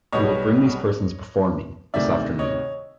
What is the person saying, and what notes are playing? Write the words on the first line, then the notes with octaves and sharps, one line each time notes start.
You will bring these persons before me, this afternoon.
B1 B2 G3 C#5 D#5
D2 C3 D#3 D5 E5
C#5 D#5